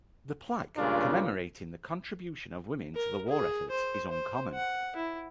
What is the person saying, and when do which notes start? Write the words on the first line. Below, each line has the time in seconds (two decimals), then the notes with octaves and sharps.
The plaque commemorating the contribution of women to the war effort is "uncommon".
0.77 C#2 G2 A#2 C#3 D4 F4
2.95 A#4
3.28 G#4
3.70 C5
4.09 C5
4.54 F#5
4.96 E4